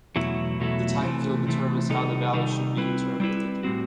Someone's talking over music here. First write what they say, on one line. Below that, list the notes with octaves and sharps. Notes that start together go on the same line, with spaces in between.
The type field determines how the value field should be interpreted.
E2 B2 F#3 A3 E4
E2 B2 F#3 A3 E4
C3 E3 A3
C3 E3 A3
C3 D#3 G3 D#4 A4
C3 D#3 G3 D#4 A4
G3 C4 E4 B4
G3 C4 E4 B4
A2 G3 C4 F#4